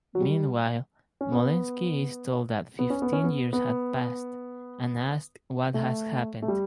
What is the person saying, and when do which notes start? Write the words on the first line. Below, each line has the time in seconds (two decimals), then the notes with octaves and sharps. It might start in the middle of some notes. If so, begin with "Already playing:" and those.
Meanwhile, Molenski is told that fifteen years have passed, and asked what has happened.
0.15 F#3
0.21 G3
1.21 C#4
1.32 B3
2.79 B3
2.90 C#4
3.02 B3
3.13 C#4
3.24 B3
3.53 B3
5.74 A3
6.42 A3
6.48 G3